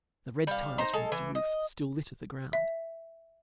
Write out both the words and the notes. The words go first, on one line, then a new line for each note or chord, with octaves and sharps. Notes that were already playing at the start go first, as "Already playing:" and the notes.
The red tiles from its roof still litter the ground.
G3 F5
D#4 C5 A#5
G#3 A4
E3
D#5
E5